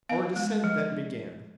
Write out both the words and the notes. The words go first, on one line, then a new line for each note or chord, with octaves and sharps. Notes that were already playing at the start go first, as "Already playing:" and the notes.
Our descent then began.
B3 F5
G#3
F3